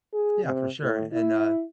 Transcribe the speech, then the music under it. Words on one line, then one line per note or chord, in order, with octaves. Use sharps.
yeah, for sure and, uh,
G#4
C3
A2
E4